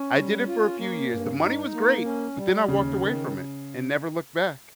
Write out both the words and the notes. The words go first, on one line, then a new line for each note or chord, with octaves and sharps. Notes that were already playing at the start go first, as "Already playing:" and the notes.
I did it for a few years the money was great, but then I walked away from it, and never looked back.
Already playing: C#4
G3
F4
A#3
G2
D#4
A#3
C#4
G3
D#2 C#3
D#3